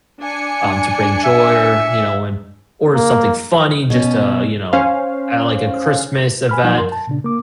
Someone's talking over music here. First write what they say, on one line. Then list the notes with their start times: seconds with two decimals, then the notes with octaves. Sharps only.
um, to bring joy or, you know, when or something funny just to, you know, kinda like a Christmas event,
0.20 D4 G#5 C#7
1.24 E5
2.95 A#3
3.90 B2 C#4
4.73 C#4 C5 F5
6.49 G#5 B5 F6
6.64 F3 F#3 D#4 F#5
6.78 F#2 A#4 C6
6.92 A5
7.07 A#2 C#3 D4
7.24 A#3 D6